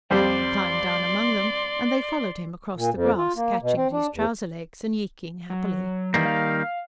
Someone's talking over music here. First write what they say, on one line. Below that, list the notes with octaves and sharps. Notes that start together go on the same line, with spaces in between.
He climbed down among them, and they followed him across the grass, catching at his trouser legs and yeeking happily.
F2 G3 C4 D5 C6
A#2
F2
F4
A#3
B2
C4
D4
E2
F#3
D#3 E3 G3 A#3
F5